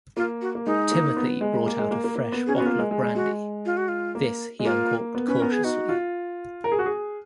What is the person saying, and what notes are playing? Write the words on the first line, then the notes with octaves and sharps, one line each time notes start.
Timothy brought out a fresh bottle of brandy. This he uncorked cautiously.
A#3 F4
F#4
A#3
G#3 D#4
A#3
B3
G#3
A#3
G#3
A#3
A#3
A#3
B3
C#4 G#4
B3 F#4
A#3 F4
G#3
G#3
G#3
G#3 F#4
F4
F#4
F4
A#3
G#3
A#3 F4
B3
C#4 B4
B3 A#4
G#4
D#4 F#4
F4
A#4
G#4
F#4
G#4